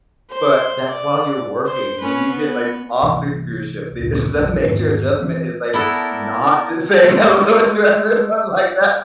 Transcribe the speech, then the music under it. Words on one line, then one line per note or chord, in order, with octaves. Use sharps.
but that's while you're working. When you get, like, off the cruise ship the the major adjustment is, like, not just saying hello to everyone like that.
C5
D5
C5
C#4 B4
B3
C2 C3 E3
D1 G1 A#2
A#1 F2
E2 G#2 D#3 B3
E3 C4
B3 E4 A4 A#4 D5 A5
G#3 A3